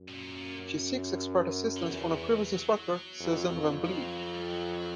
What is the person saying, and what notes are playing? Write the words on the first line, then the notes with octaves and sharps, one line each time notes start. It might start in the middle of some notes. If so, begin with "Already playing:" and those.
She seeks expert assistance from a previous instructor, Susan van Bleeck.
Already playing: F#2
A2
A#2
A#2
F#2
D3
E2 C#3
C3
F#3
F#3
F2
F2
F3
F#3
F#3
G3
F#3